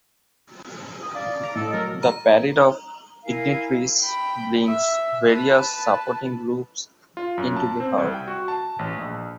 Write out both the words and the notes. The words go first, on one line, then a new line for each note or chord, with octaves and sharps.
The "Parade of Ignitaries" brings various supporting groups into the hall.
D#6
D5 F5
A#5 D6
A2 A4 D#5
F#3 A#4
A#5
E4 A#4 F5 G#5
G5 B5
E5
B4 A5
F4
F#2
A5
C4
C2
G5
F#4
A5
A1
A#1